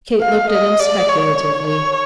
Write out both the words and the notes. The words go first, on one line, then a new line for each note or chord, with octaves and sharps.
Kate looked at him speculatively.
F5
D#5
D5
C#5
C#5